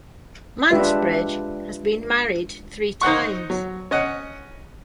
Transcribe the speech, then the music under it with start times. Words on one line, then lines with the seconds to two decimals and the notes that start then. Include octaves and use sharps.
Mansbridge has been married three times.
0.71 G#3 D4 F4 G4 B4 E5
3.01 D#4 C5 F#5 C#6
3.50 F#3
3.91 C#4 D#5 F#5